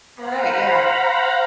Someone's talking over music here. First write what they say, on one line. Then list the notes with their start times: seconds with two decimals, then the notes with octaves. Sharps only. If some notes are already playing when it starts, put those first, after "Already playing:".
Alright, yeah.
0.16 C5 F5 F#5 A#5 B5